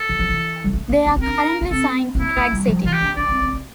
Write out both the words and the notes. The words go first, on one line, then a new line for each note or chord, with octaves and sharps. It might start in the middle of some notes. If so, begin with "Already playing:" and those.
They are currently signed to Drag City.
Already playing: A4
E3
F3
E3
G3
A3
A#3
D4
C4
D4 A#4
A#3
C4 A4
C4
A#3 E4
A3
G3
F3
E3 F4
G4
D4
D4 D5
C4
C4
A#3